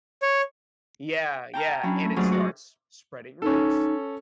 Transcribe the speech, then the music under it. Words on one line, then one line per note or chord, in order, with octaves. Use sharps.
Yeah yeah, and it starts spreading roots,
C#5
G5 A5 A#5 F6
F#3 C#4 D4 E4
A3
G#2 F#3 A3 F4 G#4 D5
F#4 G#4 D5 D#5
C#4 D#4 A4